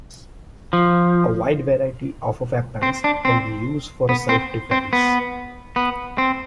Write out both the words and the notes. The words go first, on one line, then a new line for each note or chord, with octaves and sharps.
A wide variety of weapons can be used for self-defense.
F3
C4
D4
C4
B3
C4
C4
B3
B3
C4